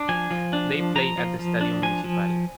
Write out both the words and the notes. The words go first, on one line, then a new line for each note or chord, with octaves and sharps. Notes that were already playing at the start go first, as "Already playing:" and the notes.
They play at the Estadio Municipal.
Already playing: D4
F3 G#5
F3
D4
F3
F3 A#5
F3
F3
D4
F3 G#5
F3